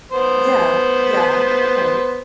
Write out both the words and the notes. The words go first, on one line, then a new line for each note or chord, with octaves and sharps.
Yeah, yeah, okay.
B3 C5